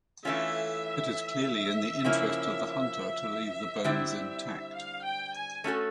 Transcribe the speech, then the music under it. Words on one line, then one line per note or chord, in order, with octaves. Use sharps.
It is clearly in the interest of the hunter to leave the bones intact.
E3 A3 C#4 F4 E5
C#3 F3 A#3 C#4 E4
D3 G3 C4 E4 E5
F5
G5
G#5
A3 C#4 F#4 A4